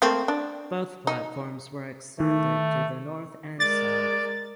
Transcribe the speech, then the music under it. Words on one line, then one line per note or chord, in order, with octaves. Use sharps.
Both platforms were extended to the north and south.
A3 A#3 C4
D4
D#4
D#3 A3
G#3 A#4 D5 A6